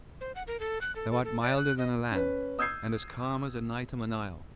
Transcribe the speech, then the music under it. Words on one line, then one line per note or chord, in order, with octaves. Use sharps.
Thou art milder than a lamb, and as calm as a night on the Nile.
C5
F#5
A#4
A4
F#6
A4
A4
A4
D5
F#6
D#5
C#4 B4
D#6 E6 G6 G#6 C7